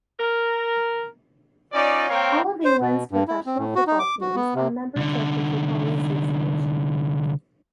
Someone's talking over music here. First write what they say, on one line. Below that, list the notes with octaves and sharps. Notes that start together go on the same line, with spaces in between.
All of England's professional football teams are members of the Football Association.
A#4
C#4 D#4 F4 D5
A#3 C4 A#4 C#5 F5 G5
C5
B2
G2
E4
C4
A2
F#4
D#4
D6
F#4
B3
C3
C2 D3